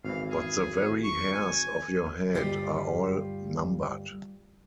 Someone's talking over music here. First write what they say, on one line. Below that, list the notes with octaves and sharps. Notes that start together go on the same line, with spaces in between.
But the very hairs of your head are all numbered.
G#1 E3 F5
G#4
C#6
G#5
D2 G2 A#2 G3 F4 G4